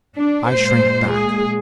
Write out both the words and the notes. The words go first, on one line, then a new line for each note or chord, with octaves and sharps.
I shrank back.
D4
A#2 G#3 C5
G#4